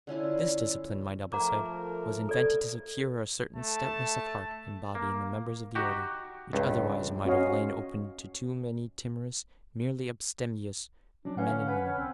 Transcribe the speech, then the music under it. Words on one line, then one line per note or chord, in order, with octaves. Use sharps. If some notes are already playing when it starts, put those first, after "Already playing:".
This discipline, my double said, was invented to secure a certain stoutness of heart and body in the members of the order, which otherwise might have lain open to too many timorous, merely abstemious, men and women.
D3 C#4 E4 F4
F3 A3 A#4 F#5 A#5 D6
A4 D5
A3 A5
A#3
D#4 F#4 G4
C#2 G2
C#4 F#4 C#5 D#5 F5
F#3 C#4 D4
C#4 B4 F5 F#5
D3
B4 F#5
C#4
C2 C4